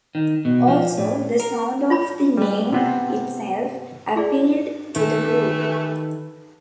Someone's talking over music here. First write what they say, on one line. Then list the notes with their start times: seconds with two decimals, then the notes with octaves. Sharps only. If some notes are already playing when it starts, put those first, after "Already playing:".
Also, the sound of the name itself appealed to the group.
0.15 D#3
0.45 B2
0.68 F3
0.97 A2
1.40 A#4
1.90 F4 C#5 B5
2.37 G3 B4
2.73 C3 B3 C4
4.16 E4 G#4 D5
4.96 D#3 E3 A3 G4 A4 B4